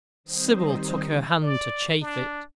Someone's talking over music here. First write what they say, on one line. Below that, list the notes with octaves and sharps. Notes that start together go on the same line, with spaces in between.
Sybil took her hand to chafe it.
D#3 G3 C4 D#4 C5 D#5
D5
D4